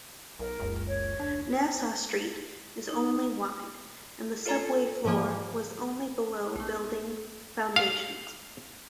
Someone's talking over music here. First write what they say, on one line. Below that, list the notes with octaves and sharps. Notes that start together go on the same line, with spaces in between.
Nassau Street is only wide, and the subway floor was only below building foundations.
B1 A#4
F#1 C#2
C#5
F1 D2 D4
D#4
F4 A4 C#5 A#5
G#2 C#3 E3 F3 A#3
B1 A3
F5